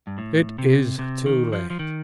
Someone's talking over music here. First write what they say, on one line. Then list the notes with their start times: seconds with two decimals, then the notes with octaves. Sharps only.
It is too late.
0.07 G2
0.18 A2
0.58 C3
0.99 C3
1.26 D#3
1.52 F3
1.70 F3
1.79 D#3